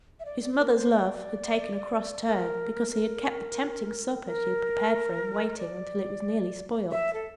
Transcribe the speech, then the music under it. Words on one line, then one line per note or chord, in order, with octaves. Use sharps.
His mother's love had taken a cross turn, because he had kept the tempting supper she had prepared for him waiting until it was nearly spoilt.
E5
D5
D5
C5
A#4
C5
D5
A#4
A#4
A#4
D5
E5
A4